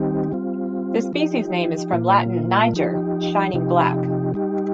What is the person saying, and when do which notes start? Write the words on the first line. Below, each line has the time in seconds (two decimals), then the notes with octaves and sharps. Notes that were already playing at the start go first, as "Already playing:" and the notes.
The species name is from Latin "niger" "shining black".
Already playing: D#3 G3 C4 D#4 G4
0.32 G3 C4 F4
1.13 F3 D#4 G4
1.93 A#2 A#3 F4
2.74 F3 D#4 G4
3.53 C3 F3 D#4 G4
4.34 G3 D#4 G4